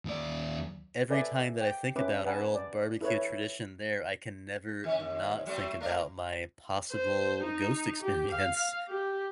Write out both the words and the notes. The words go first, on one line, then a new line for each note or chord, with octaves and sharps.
every time that I think about our old barbecue tradition there, I can never not think about my possible ghost experience.
D#2 D5
A4 B4 D5 E5 G#5
G5
C#4 B4 E5 D6
B4 F#5 G#5 A5
D5
E4 A4 B4 C#5
D#3 C#4
D#2
F#3 A3 C4
A3 A#4 D5
C5
D#4
G4
F5
G4